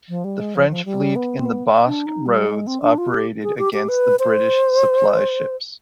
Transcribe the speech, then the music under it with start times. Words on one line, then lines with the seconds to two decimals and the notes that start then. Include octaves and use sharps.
The French fleet in the Basque Roads operated against the British supply ships.
0.09 F3
0.24 G3
0.39 G#3
0.55 F3
0.70 F3
0.85 G3
1.16 B3
1.38 C4
1.45 B3
1.86 D4
2.06 D#4
2.26 G3
2.47 G#3
2.67 C4
2.82 D4
2.98 F4
3.12 G4
3.43 G#4
3.58 G4
3.73 G4
3.88 B4
4.19 C5